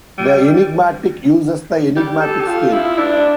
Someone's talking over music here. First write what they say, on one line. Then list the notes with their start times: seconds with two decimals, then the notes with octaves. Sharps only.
"The Enigmatic" uses the enigmatic scale.
0.18 G3
1.96 G4
2.21 A4
2.40 G4
2.47 F4
2.73 E4
2.98 D4